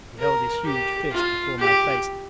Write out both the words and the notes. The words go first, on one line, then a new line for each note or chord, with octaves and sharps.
He held his huge fist before my face.
A#4
G4
F4
G4